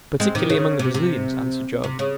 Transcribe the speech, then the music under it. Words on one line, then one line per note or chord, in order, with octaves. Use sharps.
"Particularly among the Brazilians," answered Joam.
G#3 C4
C3 D#3
C#3
C3
C3
C3
C#3